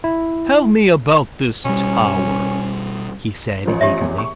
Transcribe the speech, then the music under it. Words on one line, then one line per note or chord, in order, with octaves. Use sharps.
"Tell me about this tower," he said eagerly.
E4
B2 G3 C#4
A1 F3
G4 C#5 E5
E2
C#6